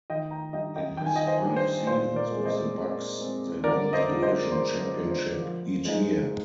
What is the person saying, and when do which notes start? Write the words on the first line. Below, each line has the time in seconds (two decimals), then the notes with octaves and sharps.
In his five seasons with the Bucks, they won the division championship each year.
0.10 D#3 D#5 G5
0.31 G5 A#5
0.53 G3 D4 D#5 G5
0.76 D#5 G5
0.97 D#3 G5
1.06 G#5
1.16 D#5 G5
1.27 C5 D#5
1.42 G3 D4
1.56 C5
1.87 A#2 C5
2.16 A#4 D5
2.31 G#3 C4
2.45 C5 D#5
2.76 A#2
3.19 G#3 C4
3.64 D3 A#4 D5
3.93 C5 D#5
4.08 G#3 D4 F4
4.22 C5 D#5
4.52 D3 C5
4.82 C5
4.96 G#3 D4 F4
5.11 C5
5.41 F3
5.85 G#3 D#4